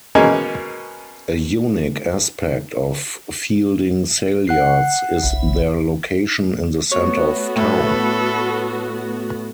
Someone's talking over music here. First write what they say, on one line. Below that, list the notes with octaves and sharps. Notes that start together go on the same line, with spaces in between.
A unique aspect of Feilding Saleyards is their location in the centre of town.
B2 G#3 A#3 C#4 D#4 G#4
F#5 F#6 C7
F#1 B1 E5
A3 B3 F#4 C#5
A2 A4 B4